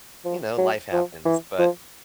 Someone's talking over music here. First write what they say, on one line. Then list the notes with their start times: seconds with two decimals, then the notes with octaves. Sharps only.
you know, life happens, but
0.25 F3
0.58 F#3
0.92 F3
1.25 E3
1.58 F3